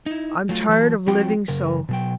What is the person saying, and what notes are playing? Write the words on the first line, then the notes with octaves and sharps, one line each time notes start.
I'm tired--of living so.
D#4 E4
F#3 A3 F4
E3 F#3 A5
F3 F#3 C4 F4 F#4 G5
F#2 C#3 A#4
B2 F#3 G5